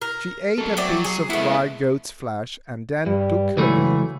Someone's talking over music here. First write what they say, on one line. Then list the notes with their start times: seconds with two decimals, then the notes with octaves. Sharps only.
She ate a piece of dry goat's flesh, and then took her leave.
0.02 A#4
0.58 F#3 A4
0.77 F#3 A3 C4 D5
1.04 G#4
1.30 G#3 A3 B3 E4
3.06 G2 G3
3.57 C#2 E3 F#3 A3